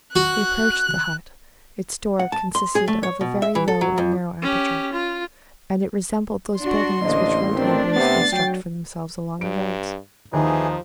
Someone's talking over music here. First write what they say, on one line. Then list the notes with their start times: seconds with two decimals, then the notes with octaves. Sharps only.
He approached the hut; its door consisted of a very low and narrow aperture, and it resembled those buildings which road-laborers construct for themselves along the roads.
0.16 F#4 F#6
2.20 F#5
2.32 A5
2.55 C6
2.75 G#4
2.88 A3
3.03 C#5
3.21 B2
3.42 E5
3.55 E3
3.68 A4
3.81 F#3
3.98 F2
4.43 C#4 G4
4.93 F4
6.59 D4 F#4 C6
7.02 A1 D3 A#3 D4 C5 D#5
7.55 D#3 A3 C4 D4
7.96 C3 B3 A6 C7
8.32 F#3 G5
9.41 G2 D7
10.33 D#2 E3 F3 D#4 G#4